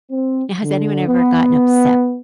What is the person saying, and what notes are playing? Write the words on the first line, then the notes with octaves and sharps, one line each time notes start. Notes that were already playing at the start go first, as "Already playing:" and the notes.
Now, has anyone ever gotten upset
C4
D3
B3